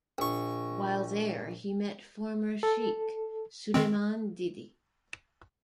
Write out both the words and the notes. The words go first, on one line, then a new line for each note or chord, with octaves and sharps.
While there, he met former sheikh, Suleiman Dede.
A#1 C#6
A4
D#3 G#3 C4